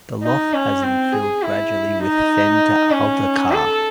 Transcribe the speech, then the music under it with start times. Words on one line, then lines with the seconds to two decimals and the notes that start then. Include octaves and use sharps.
The lough has infilled gradually with fen to alder carr.
0.22 D#4
0.53 C#4
0.83 C4
1.12 G#4
1.43 E4
2.03 D#4
2.91 C#4
3.52 A4